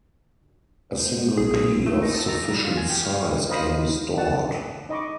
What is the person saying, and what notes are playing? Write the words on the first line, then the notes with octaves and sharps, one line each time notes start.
A single key of sufficient size can be stored.
G#3 B3 C5
B1 A#2 G#4
A3
D#4
A4
A#5
G3
F4
G#5
G4
F5
F4 C5 D#5 F5 B5 D#6
F#5 A5
D#4 D#5 B5 C#6 D6